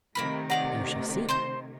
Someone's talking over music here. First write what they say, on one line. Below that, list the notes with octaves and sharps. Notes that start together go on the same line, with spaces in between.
"You shall see."
C3 D#3 A3 A#3 A#4 B5
B3 C#5 D5 F#5 A#5
C5 C6 G6